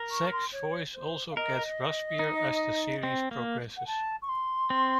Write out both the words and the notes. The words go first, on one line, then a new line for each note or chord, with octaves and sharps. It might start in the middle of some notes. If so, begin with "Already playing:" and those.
Zack's voice also gets raspier as the series progresses.
Already playing: A#4
C#6
C6
C#5
C5
F5
A#4 D#5
D#4
C4
A#3
F#5
A5
C#6
C6
C4